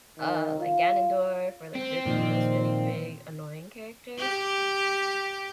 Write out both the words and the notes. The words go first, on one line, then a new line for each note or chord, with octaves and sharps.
uh, like Ganendorf or, like, Ridley, those really big annoying characters,
D#3
F4
C4
A#2 D#3 F3
G4